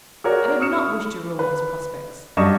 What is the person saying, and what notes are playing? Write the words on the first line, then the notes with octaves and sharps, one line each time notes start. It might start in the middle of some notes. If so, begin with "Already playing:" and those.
I did not wish to ruin his prospects.'
F#4 G#4 A#4 C#5 D5
C#6 D#6 F6 C#7 E7
B4
G2 F#3 D#5 C#6 D#6 E7